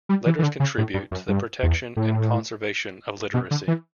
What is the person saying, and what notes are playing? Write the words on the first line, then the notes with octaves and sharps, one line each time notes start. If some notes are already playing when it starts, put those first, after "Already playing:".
Letters contribute to the protection and conservation of literacy.
G3
E3
E3
D3
C#3
A2
G2
F#2
G2
E2
A2
B2
D3
E3